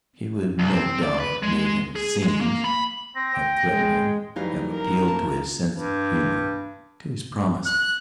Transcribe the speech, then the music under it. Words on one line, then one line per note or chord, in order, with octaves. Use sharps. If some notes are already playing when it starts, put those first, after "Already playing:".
She would no doubt have made him scenes, have threatened him, have appealed to his sense of humour, to his promises.
C2
C4
D5
B4
G#3
G#4
G#3
A#3
B5
C4 A#6
G5
G#3
F2 E3 F#3 G3 D#4 F5
A#4
A3 A#3 A5
G2
F#6